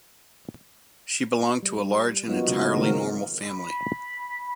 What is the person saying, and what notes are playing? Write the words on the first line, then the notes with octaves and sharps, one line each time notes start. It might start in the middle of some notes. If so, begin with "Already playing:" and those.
She belonged to a large and entirely normal family.
G3
F#3 A#3 B3 D#4 F4 F#4
C#3 G#3 D#5
D#3 G#3 A3 C4 F#4 A#4
B5